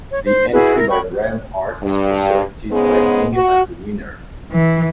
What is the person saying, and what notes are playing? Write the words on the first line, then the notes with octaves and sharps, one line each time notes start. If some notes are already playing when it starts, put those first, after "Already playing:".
The entry by Brian Hartz was selected by King as the winner.
C#5
C5
E4 F#4 G#4 B4
E4 A#4
F#4 G5 B5 C#6
G2
G#2 C#3 G#3 B3
F#4
E3